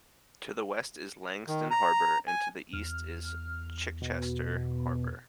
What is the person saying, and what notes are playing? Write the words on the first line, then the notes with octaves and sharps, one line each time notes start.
To the west is Langstone Harbour and to the east is Chichester Harbour.
D#3
A#5
G#5
E2 F6
B2